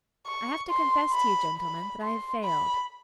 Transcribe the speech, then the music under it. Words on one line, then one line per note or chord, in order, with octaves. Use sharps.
I have to confess to you, gentlemen, that I have failed.'
C#6
C6
B5
B5
C6
B5